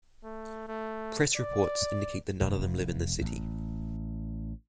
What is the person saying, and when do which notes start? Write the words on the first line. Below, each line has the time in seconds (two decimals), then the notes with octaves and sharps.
Press reports indicate that none of them live in the city.
0.24 A3
0.68 A3
1.35 D5
2.41 F1
3.21 A1